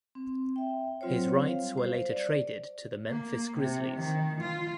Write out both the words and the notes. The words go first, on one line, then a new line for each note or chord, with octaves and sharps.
His rights were later traded to the Memphis Grizzlies.
C4
E5 G5
F#3 C4 F4 C5 C#5
G3 F5
C5
D5
A#3
C3
D#3
F4